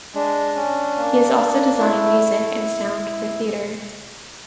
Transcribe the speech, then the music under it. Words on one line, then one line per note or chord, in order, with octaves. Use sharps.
He has also designed music and sound for theatre.
G#3 D4
C#4
A#3
A#3
A3 E4
A3